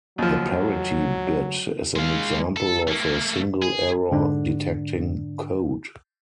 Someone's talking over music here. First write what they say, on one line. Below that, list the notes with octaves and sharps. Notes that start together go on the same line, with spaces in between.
The parity bit is an example of a single-error-detecting code.
D#2 F3 F#3
G#3 F5
A4
A3 A#3
G#4
G#2 D3 D4